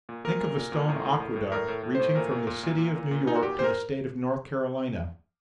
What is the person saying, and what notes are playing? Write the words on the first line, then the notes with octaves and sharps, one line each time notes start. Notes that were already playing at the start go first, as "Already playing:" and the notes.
Think of a stone aqueduct reaching from the city of New York to the State of North Carolina!
A#2
A#2 A#4
A#2
A#2
A#2
A2
A2
A2
A2
A2 A#4
A2
A2
A2 C5
A#2 A#4
A#2
A#2
A#2
A#2
A#2
A#2
A#2 D#4
F#4
A#2 G4
A#2 C5
A#4